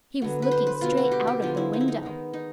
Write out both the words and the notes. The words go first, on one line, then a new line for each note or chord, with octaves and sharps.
He was looking straight out of the window.
D3 F#3 B3
B4
C5
B4
B2 F#3 B3 F4
F#4
G4
G4
D3 F3 G#3 B3 F4
E4
D#4
E4
D#4
D#3 G#3 B3
D#4